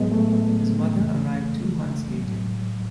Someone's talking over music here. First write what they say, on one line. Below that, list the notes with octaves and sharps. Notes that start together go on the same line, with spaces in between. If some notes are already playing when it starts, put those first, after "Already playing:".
His mother arrived two months later.
Already playing: A2 F#3 G#3 B3
A3
A3
F#2 C#3 E3
G#3
A2 F#3